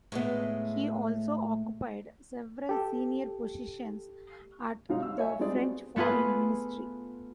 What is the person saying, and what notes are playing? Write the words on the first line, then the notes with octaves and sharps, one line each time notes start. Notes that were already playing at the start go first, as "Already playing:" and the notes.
He also occupied several senior positions at the French foreign ministry.
A2 G#3 B3
G4 A4
C2 G#2 F#3 D#4 F5
F5 E6
C#5 D#5 E5 G#5
G3 G#3 C4 D#4 G#4 D5
B3 C4 F#4
A3 B3 F4 G#4 B4